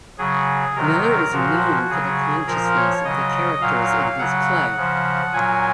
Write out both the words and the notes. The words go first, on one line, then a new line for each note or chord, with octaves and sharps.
Miller is known for the consciousness of the characters in his play.
C#3 F#3 G#4
C3 D#3 F#3 A#4
A#2 F3 F#4
C#3 F#3 G#4
A#2 F3 A#4
C#5
C#3 F#3 D#5
A#2 F#3 F5
C#3 F#3 F#5
C#3 F3
A#2 F#3 G#5